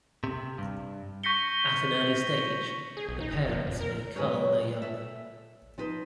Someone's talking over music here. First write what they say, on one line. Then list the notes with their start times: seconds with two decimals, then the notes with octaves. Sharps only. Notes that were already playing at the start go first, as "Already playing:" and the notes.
At an early stage, the parents may cull their young.
0.24 C3
0.58 G2
1.24 C#6 G6 A#6 B6 C#7 G7
2.97 G#4
3.09 B1
3.20 D#4
3.33 F1
3.49 F3
3.67 F2
3.81 A#4
4.16 F#3 G#3 G#4 B4 C#5
4.82 A4 E5
5.78 F3 D#4 B4 C5